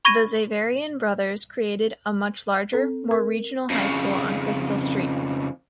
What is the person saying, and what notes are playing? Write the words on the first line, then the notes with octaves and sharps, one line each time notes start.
The Xaverian Brothers created a much larger, more regional high school on Crystal Street.
B5 C#6 G#6 A#6 D#7
C4 A4
A#4
F2 C#3